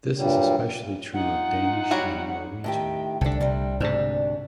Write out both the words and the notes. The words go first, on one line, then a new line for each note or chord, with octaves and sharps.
This is especially true of Danish and Norwegian.
G2 A#2 F#3 G3
D#4 F4 F#5
F#3 G3 F#4
A2 D#3 G4
C2 D3 D4 A4
C3 G3
D2 G#2 C3 D4